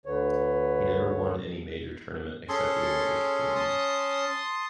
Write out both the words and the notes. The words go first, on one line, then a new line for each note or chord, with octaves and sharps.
He never won any major tournament except the Olympic Games.
D2 D3 B4 C#5
C#4 G#4 A4 C6
A5 C6 D#6